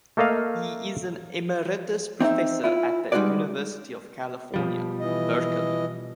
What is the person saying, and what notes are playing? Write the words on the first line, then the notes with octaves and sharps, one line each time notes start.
He is an emeritus professor at the University of California, Berkeley.
A3 A#3 A4 D#5 F5
C4 D#4 C5 E5
E4 F4
G3 G#3 D#4 F#4 B4 D5
B2 F3 G3
E3 D#5